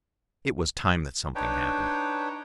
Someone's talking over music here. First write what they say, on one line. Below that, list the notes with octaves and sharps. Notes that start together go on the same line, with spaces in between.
It was time that something happened.
D4 D#4 B4 C#5 G5